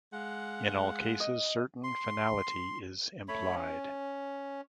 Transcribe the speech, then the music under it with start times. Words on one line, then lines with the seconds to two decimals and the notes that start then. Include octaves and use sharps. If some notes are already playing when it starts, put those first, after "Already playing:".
In all cases, certain finality is implied.
0.12 G#3 F5 F#5
1.20 D#5
1.84 C6
3.28 A3 C#5 B5
3.55 C#4